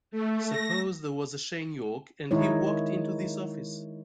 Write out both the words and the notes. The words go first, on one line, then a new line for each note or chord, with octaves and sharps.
Suppose there was a Shane York and he walked into this office.
A3
A#6
D#3 G#3 D#4 E4 C#5